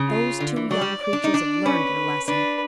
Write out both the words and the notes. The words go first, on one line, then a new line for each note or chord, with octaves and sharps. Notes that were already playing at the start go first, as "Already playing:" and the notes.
Those two young creatures have learned their lesson.
Already playing: C#3
F4
D3
E3
F#3 D5
G3
D5
D4
D#4
D4
C#4 B4
D4 B4